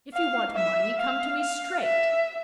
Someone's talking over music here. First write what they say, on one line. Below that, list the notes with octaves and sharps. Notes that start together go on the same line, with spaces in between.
If you want money come to me straight.
F5
E5
F5
F5
E5